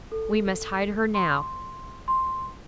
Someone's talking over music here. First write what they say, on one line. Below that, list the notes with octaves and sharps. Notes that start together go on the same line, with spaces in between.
We must hide her now.
A4
C6
C6